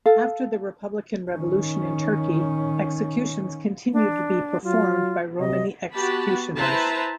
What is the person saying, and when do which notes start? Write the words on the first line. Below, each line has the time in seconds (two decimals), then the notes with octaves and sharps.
After the republican revolution in Turkey, executions continued to be performed by Romani executioners.
0.06 A4 F5
1.32 D#3 C#4
3.93 D4
4.64 F#3 F4
5.40 C3 D#5
5.93 B3 F#4 G4 A5 B5
6.57 E4 B4 C5 E5 A5 A#5